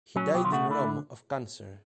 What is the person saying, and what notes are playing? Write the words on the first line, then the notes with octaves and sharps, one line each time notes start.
He died in Rome of cancer.
F#3 C#4
B2 G4
F4
A3 F#4
D3 E4